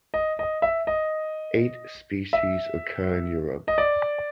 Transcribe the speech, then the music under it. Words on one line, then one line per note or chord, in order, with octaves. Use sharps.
Eight species occur in Europe.
D#5
D#5
E5
D#5
E5
D#5
D5